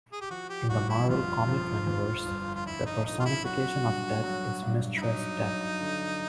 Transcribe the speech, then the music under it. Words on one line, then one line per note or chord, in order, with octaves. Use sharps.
In the Marvel Comics Universe, the personification of death is Mistress Death.
G#4
G4
F3 F#4
G4
G1 F#4
E4
F2 F4
F3
F2
G1
F4
G1 E4
D#4
D3 D#4
F4
E4
F#3 F#4
G2
F#3
G2
E4
F#3 D#4
F#3
D3